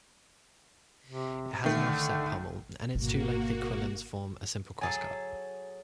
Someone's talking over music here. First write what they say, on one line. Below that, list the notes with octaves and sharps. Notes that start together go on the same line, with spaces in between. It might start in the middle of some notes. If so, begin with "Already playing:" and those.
It has an offset pommel, and its two lengthy quillons form a simple crossguard.
C3
D3 D#3 A3
G#1 B2 A#3 F#4
F#3 G#4 A4 G#5 A5